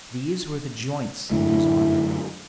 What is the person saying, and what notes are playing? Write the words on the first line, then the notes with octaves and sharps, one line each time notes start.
These were the joints in his armor.
F#2 D3 A3 E4